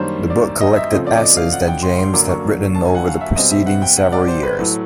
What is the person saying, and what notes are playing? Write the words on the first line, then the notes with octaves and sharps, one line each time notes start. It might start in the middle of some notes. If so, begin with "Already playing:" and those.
The book collected essays that James had written over the preceding several years.
Already playing: F#2 D#3 G3 A#3 D4 C5 C#5
D5
D#5
E5
C#3 F3 A3 C4 D#5
D5
D5
D#5
F5
F#5
G5
C6
C6
F#2 D3 F#3 A#3 D4 D6
C#6
A5
G#5
F#5
F5
E5
B2 G3 C4 D#5
E5
F#5
G5
F#5
D5
C5
B4
A2 F#3 A3